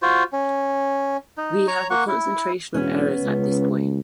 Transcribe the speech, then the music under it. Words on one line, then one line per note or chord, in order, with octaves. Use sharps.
We have a concentration of errors at this point.
F4 F#4 C5
C#4
D#4
C#5 A#5 C#6
A#3 F#5 C#6
E4
E1 B3 C#4
C#2